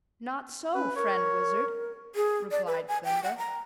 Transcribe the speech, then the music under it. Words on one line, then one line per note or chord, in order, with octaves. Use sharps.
"Not so, friend Wizard," replied Glinda.
C#4 B4
A#4 C#5
G#4
D5
B4
G#5
G5
F#5
A#5